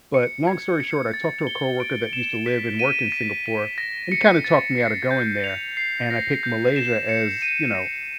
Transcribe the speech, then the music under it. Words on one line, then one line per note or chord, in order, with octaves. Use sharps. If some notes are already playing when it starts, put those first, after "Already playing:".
but, long story short, I talked to a coworker that used to live and work in Singapore, and he kinda talked me out of going there. And I picked Malaysia as, you know,
C#7
G#6
C#7
A6
G7
D7
E7
B6
D#7
B6
D#7
A#6
C#7
A6
C7
G6
F7
C7
A#6
G6
E7
C#7
D#7
A#6